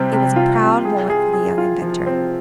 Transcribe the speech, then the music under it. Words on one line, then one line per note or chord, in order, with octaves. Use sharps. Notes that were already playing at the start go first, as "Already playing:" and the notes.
It was a proud moment for the young inventor.
Already playing: C3 G3 C4
C3
F4
C3
G#4
G#4
G#4
F4
F3
C4